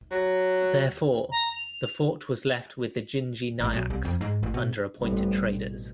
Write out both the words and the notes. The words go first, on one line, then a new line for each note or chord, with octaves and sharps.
Therefore, the fort was left with the Gingee Nayaks under appointed traders.
F#3
A#5
F7
A1
B1
C2
F2
G#2
A1
B2
A1 G2 G3 B3 C4
B2